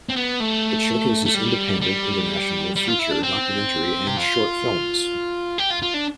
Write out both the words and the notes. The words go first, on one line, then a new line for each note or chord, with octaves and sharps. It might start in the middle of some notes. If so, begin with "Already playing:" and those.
It showcases independent, international, feature, documentary and short films.
C4
B3
A3
A3
G3
G3
G3
F4
E4
D4
C4
G4
F4
G4
F4
F4
D4